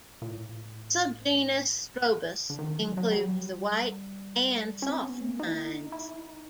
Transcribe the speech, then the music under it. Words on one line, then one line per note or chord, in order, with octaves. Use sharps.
Subgenus "Strobus" includes the white and soft pines.
A#2
A2
D3
D#3
F#3
F#3
G3
F#3
G3
C#4
C4
B3
A3
A#3
D#4
E4
D#4
E4
D#4